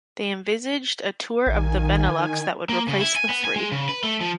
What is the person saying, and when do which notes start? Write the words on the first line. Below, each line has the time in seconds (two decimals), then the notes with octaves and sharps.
They envisaged a Tour of the Benelux that would replace the three.
1.47 A#1 D#3 G#5
2.69 A#3
2.88 C#3
3.01 E4
3.16 G#5
3.29 B3
3.45 G#5
3.56 G#3
3.72 C#3
3.89 B4
4.04 A3
4.21 F3